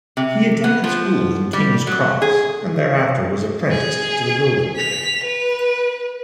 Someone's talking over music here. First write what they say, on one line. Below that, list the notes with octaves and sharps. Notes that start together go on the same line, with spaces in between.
He attended school in King's Cross, and thereafter was apprenticed to the building trade.
C3
B3
F3
G3
F#3
G#4
G#4
B6 F7
B4